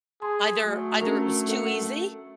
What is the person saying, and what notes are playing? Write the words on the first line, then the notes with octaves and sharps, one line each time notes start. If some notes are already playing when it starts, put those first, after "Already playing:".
Either either it was too easy,
G#4 A5 C6
F#3 A3
C#4 D4 A#4
A4 A#4 F#5